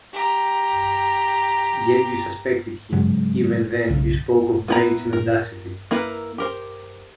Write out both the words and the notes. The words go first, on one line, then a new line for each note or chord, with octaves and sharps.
Yet you suspected him — even then you spoke of brains and audacity.
G4 A#5
G#2 C#3 F#3 G#3
B1 C#3
B3 E4 A#5
A#4
A#3 E4 A#4 B4
G4 A#4 C5